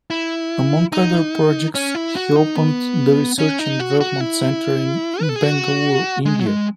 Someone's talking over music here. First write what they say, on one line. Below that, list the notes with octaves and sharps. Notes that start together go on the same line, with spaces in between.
Among other projects, he opened the Research and Development center at Bengaluru, India.
E4
D#4
C#4
E4
F#4
D#4
B3
C#4
D#4
F#4
F#4
E4
B4
A4
G#4
F#4
G#3
F#3
G#3